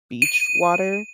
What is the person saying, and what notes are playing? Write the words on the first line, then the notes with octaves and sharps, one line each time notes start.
beach water
D#7